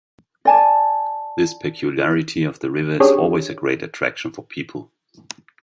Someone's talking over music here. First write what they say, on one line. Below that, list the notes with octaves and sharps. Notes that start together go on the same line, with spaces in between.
This peculiarity of the river is always a great attraction for people.
D5 G#5 A5
C#4 D4 G4 G#4 C#5